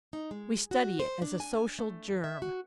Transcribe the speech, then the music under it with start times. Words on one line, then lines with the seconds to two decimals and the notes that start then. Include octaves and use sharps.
"We study it as a Social Germ."
0.13 D#4
0.31 G#3
0.71 F#4
0.99 C5
1.22 D4
1.40 G#5
1.54 G#5
1.79 A3
2.08 E2
2.24 E5
2.42 F#4